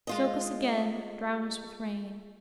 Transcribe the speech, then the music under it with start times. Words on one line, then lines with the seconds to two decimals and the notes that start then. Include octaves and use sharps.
"Soak us again-- Drown us with rain!"
0.07 G#3 F4 D#5